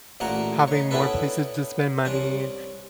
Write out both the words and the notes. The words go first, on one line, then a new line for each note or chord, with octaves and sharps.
having more places to spend money,
A1 A#2 A3 A#3 F#5 A#5
D#4 C#5
B3 C#4 D4 E4 A4 B4
C2 C#4 D4